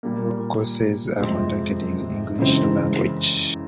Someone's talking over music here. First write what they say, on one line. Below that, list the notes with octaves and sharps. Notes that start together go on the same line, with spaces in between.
All courses are conducted in English Language.
A#2 G3 A#3
F2 C3 F3 G#3 C4
F#2 C#3 E3 G#3 C4